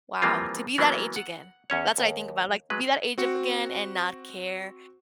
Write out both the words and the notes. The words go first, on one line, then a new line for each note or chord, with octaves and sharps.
Wow, to be that age again." That's what I think about, like, be that age a again, and not care,
E3 F3 G3 A#3 C4 F4
E3 F#3 A#3 B3
F#5
E2 C#4 C#5
D#2
F#3 G#3 B4
C4 F#4 C#7